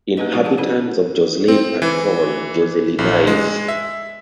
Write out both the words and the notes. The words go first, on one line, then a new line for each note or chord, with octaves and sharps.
Inhabitants of Josselin are called "Josselinais".
A#3 D4 D#4 G#4 B4 D#5
F3 G#3 F4 G4 A#4 C5
G#4 F#5 A5
C#4 E4 G#4 A4 B4 C5
C4
E3
A#1
G#3
E5